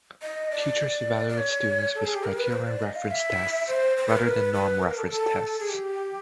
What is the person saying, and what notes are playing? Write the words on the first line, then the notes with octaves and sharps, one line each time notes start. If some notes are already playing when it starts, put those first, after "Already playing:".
Teachers evaluate students with criterion-referenced tests rather than norm-referenced tests.
D#5
D5
D5
C#5
A4
G#4
G4
A#4
B4
C5
D5
D#5
F5
E5
C5
C5
B4
A#4
B4
B4
A#4
A4
A4
G#4
G4